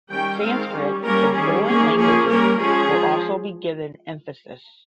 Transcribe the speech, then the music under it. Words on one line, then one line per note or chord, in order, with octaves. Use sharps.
Sanskrit and foreign languages will also be given emphasis.
D#3 G3 C#4 G5
D#3 G#3 C4 F5
G3 C#4
G3 A#3 C#4 A#4
D#3 G3 C#4 G#4
D#3 A#3 C#4 G#4
F3 A#3 C#4 G#4
G3 A#3 C#4 A#4
F3 G#3 C#4 G#4
F3